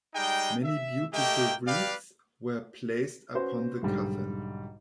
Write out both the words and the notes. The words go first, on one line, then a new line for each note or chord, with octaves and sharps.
Many beautiful wreaths were placed upon the coffin.
G3 G#3 D#4 G5
E5
A3 A#3 G4 D#5 G5
G4 B4 D5 F5
C#4 F#4 B4 C5
B1 G#2 D3 G3